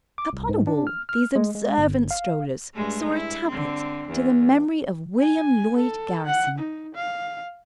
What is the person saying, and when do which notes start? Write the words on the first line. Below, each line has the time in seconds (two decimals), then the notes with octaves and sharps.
Upon a wall these observant strollers saw a tablet to the memory of William Lloyd Garrison.
0.18 D6
0.33 C2
0.49 G#2
0.67 D4
0.87 F6
1.09 F6
1.36 G#3
1.55 G#3
1.78 G1
2.11 F5
2.73 G2 G#3 A3
3.12 E4
3.48 D3 C4
4.08 E2
5.20 G#5
5.77 A4
6.26 F#5
6.59 D#4
6.95 F5